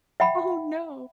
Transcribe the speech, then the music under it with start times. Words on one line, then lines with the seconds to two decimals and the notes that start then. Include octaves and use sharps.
Oh, no.
0.20 E5 F#5 G5 B5